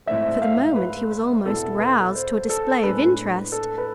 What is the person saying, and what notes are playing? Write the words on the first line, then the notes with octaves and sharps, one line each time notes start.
For the moment he was almost roused to a display of interest.
G#2 E3 A3 C4 E5
F5
B4
E2 B2 B3 E4 A4
B4
C5
A4
A2 G#3 B3 D4 B4
A4
B4